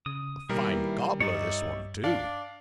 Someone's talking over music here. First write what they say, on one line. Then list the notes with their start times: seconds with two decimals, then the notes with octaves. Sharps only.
"A fine gobbler this one, too!"
0.06 C#3 D#6
0.49 B2 D#3 G3 A#3 E4 A#4
0.70 E3
1.20 G2 D#4 C#5 D5 E5
2.04 D4 D5 F5